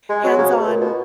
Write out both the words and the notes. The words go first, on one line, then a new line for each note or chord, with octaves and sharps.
Hands on,
G#3
F#3
C#3
B2
A#2
B2